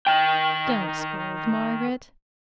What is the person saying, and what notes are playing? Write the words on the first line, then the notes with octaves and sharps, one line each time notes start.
'Don't scold, Margaret.
D#3 G5